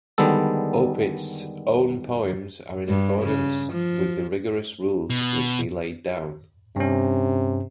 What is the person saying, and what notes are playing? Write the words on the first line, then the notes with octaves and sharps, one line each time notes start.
Opitz's own poems are in accordance with the rigorous rules which he laid down.
D3 D#3 G3 G#3 B3 A4
G2
C#3
F3
B2
G2 C3 C#4